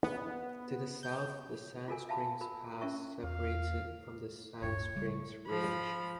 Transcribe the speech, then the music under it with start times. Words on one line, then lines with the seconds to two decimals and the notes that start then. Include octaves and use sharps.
To the south, the Sand Springs Pass separates it from the Sand Springs Range.
0.04 B3
1.03 G6
1.88 F4 F#4 A4 A#4 G#5
2.09 E5 F5 A5 B5
2.41 A#4 B5
2.81 C#4 A#4 E5 C#6
3.24 E2 F5
4.62 D1 G2 A#2 C#5
4.95 C#3 G3
5.47 F3 B5